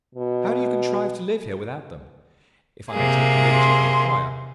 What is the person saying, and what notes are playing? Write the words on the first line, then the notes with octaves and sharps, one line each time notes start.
'How do you contrive to live here without them? if I may take the liberty to inquire.
B2
C3 A#3 G#4
C6